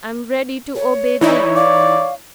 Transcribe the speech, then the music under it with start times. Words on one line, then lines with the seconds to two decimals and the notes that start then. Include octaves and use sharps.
I am ready to obey thee.
0.76 C#5
1.21 E3 D#4 E4 C#5 D5
1.55 D5 F5